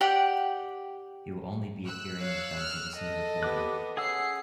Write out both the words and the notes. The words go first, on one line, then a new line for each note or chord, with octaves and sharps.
He will only be appearing with them for this new recording.
G4 D5 F#5 G5
E6 F#6
C#5 F5
F6
A4 D#5
B3 G4 D6 F#6
C#4 G#4 F#5 E6 C7 C#7